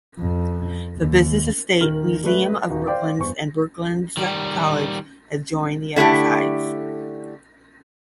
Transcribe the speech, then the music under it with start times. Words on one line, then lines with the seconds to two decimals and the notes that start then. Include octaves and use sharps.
The business estate, museum of Brooklands and Brooklands College adjoin the other sides.
0.19 F2
0.98 D#2
1.81 D#1 D#3 A#4 F6 F#7
2.23 G3 A3 B4 E5
2.70 D#1 D#4 F#4
2.87 C5 D5 F5 G5 D6
3.18 E2 G2 C5 C#6
4.17 D#3 G3
5.96 D3 A3 E4 G4